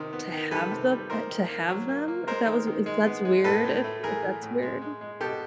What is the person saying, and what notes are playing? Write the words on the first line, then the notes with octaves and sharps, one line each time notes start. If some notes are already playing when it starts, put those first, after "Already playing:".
to have them uh, to have them? That was that's weird if if that's weird?
Already playing: C3 D#3
B3
D#3
G3 A4 B4
C3
G3
D#3 A#4 C5
D#3
A#3
F#3
A#3
A#3
G#3 A#4 C5
D#3
D#3
G#3
B3
G#3
A2 A4 B4
A2
A3
E3 G#4 A#4
E3
A2
G#3
G#3
G#3
B2 G4 A4